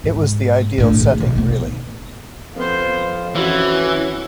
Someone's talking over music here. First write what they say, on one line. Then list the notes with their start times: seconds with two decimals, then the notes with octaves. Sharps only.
It was the ideal setting really.
0.04 G#2
0.78 A2 D4
1.00 A#1 D#3
1.20 B1
1.36 B3 D#4
2.56 F2 B3 F4 C5
3.35 E3 C#4 F#4